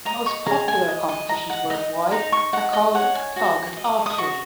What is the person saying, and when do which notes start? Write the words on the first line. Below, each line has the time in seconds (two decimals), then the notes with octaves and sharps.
The most popular competitions worldwide are called target archery.
0.05 D#5 A#5
0.26 C#6
0.46 G#4 A#5
0.68 G#5
0.88 D#5
1.08 D#5
1.29 D#5 A#5
1.50 F#5
1.70 D#4 D#5
2.11 D#4 A#5
2.32 C#6
2.53 D#4 F#5
2.73 D#5
2.94 C#5 F#5
3.15 G#5
3.36 F#4
3.77 D#5
4.06 D#6
4.18 F#4 C#6